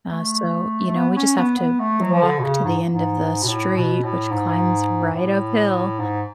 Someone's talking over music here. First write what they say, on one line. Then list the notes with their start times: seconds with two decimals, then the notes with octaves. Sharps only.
Uh, so, you know, we just have to walk to the end of the street, which climbs right uphill,
0.12 A3
0.87 A3
0.96 B3
1.10 B3
1.16 C#4
1.38 B3
1.59 B3
1.80 A3
2.01 F#3
2.13 F3
2.23 D3
2.39 B2
2.44 C#3
2.64 G#2
2.91 G#2
3.43 B2
3.48 A2
3.76 B2
4.04 A2
4.32 G#2
5.11 G#2
5.16 A2
6.00 G#2